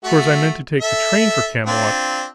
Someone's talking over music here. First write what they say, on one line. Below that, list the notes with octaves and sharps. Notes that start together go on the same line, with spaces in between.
Of course, I meant to take the train for Camelot.
A3 F#4
A4 E5
C4 D4 F4